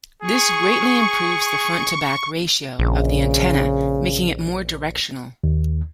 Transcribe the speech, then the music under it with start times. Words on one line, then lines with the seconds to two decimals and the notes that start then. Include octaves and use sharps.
This greatly improves the front-to-back ratio of the antenna, making it more directional.
0.22 G#4 C#6
2.79 A#1 C#3
5.44 D#2